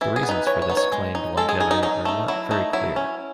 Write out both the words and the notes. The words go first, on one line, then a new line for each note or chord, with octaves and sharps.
The reasons for this claimed longevity are not very clear.
E3 E4
G#4
B3
D#4 B4
E3 C#5
C#5
B3 D#4
C#5
G#3
D#4
G#3 A4
G#4
D#4 G#4
D#4
F#3 D#4
A3 D#4
F#3 E4
A3 D#4
F#3 E4
C#4